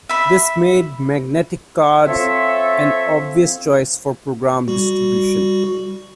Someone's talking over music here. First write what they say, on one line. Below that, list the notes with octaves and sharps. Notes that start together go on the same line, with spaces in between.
This made magnetic cards an obvious choice for program distribution.
E5 B5
C4 F4 A4 C#5 E5
G3 F#4